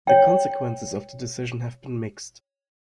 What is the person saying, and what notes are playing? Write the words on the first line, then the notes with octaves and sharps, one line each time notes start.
The consequences of the decision have been mixed.
C#5 G5